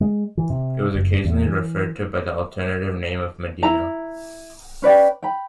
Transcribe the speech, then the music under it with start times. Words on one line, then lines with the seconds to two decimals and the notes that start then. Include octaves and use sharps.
It was occasionally referred to by the alternative name of Medina.
0.01 G#3
0.37 E3
0.50 C3
0.94 F#1
1.25 E2
1.46 E3
3.63 E4 A#5
4.82 C#4 B4 D5 G5
5.23 G5 B5